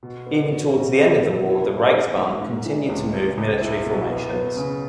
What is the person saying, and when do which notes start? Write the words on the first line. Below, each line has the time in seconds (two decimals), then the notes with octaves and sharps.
Even towards the end of the war the Reichsbahn continued to move military formations.
0.03 B2
0.27 B3
0.50 F#4
0.74 F#4
0.98 B3
1.22 B2
1.46 E4
1.70 B3
1.94 E3
2.18 G#2
2.41 G#2
2.66 E3
2.89 C#2
3.14 C#2
3.38 C#2
3.61 E4
3.85 B2
4.09 B3
4.33 B3
4.57 C#3